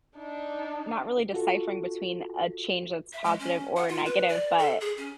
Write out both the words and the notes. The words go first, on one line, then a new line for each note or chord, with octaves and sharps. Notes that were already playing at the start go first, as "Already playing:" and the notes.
Not really deciphering between a change that's positive or negative, but,
D4 D#4
F4 F#4 A4
E5
G#3
C#4
F#5
F4
B4
D5
A4
G#4
C#4